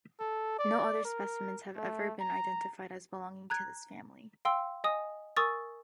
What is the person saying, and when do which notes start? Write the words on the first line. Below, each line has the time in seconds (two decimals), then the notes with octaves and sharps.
No other specimens have ever been identified as belonging to this family.
0.19 A4
0.58 D5
1.05 A#4
1.77 A3
2.21 A#5
3.50 A#5 F#6 G#6
4.45 F5 G5 C6 E6
4.84 D#5 G#5 D#6
5.37 A#4 G#5 C#6 D#6 E6 A6